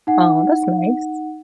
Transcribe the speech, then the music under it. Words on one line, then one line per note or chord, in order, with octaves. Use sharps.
Oh, that's nice.
D#4 F#5